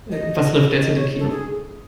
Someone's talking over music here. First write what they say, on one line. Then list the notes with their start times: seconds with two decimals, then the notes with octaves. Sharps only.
Was läuft derzeit im Kino?
0.12 D#5
0.83 D#5
0.96 C#5
1.19 A4
1.30 G#4